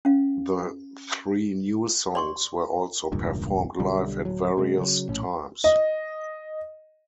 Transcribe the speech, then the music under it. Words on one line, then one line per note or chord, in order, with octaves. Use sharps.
The three new songs were also performed live at various times.
C#4 F5
D5 C6 C#6
E1 C#2 G2 A#2
B1 D3 G3
D1 F#3
C3 G#3
C#3 F#3
A#1 A2 C#4
D#5